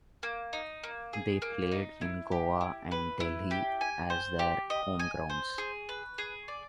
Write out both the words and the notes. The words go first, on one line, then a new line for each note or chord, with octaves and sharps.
They played in Goa and Delhi as their home grounds.
A#3
D#4
A#3
G#4
A#3
D#4
E4
G4
E4
B4
E4
G4
G#5
C5
G4
D#5
G#5
C5
G#4
B4
G#4
D5